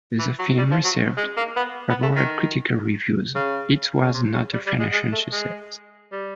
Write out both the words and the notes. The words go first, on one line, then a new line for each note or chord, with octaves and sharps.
The film received favorable critical reviews, it was not a financial success.
E3
F#3
G3
F3
F#3
G#3
A#3
B3
B3
A3
D#3
C#3
C#3
C3
C#3
G3
G3
G#3
G#3
A3
G#3
G3